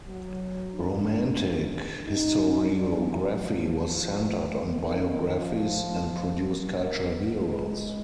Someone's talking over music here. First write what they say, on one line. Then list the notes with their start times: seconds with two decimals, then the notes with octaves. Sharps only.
Romantic historiography was centered on biographies and produced culture heroes.
0.09 F#3
0.74 D4
2.07 D#4
2.73 D4
3.07 F#3
3.40 F3
4.72 D#3
5.06 D#3
5.39 F3
6.71 A#3
7.05 B3
7.38 G#3